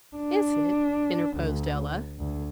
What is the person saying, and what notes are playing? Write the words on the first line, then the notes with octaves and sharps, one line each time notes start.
"Is it?" interposed Ella.
D4
D2
D2